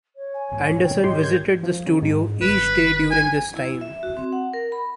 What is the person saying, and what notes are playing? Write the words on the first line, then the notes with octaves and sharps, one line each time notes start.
Anderson visited the studio each day during this time.
C#5
G#5
F1 G#2 B3
B2 D#3 D4 G5
A#1 G#2 F#3 G4 D#5 C6
A#4 G6 G#6
F3
C#3
G#2
G1 B4
G#5
E4
E5
F#4
C4
F#5
A#4
B5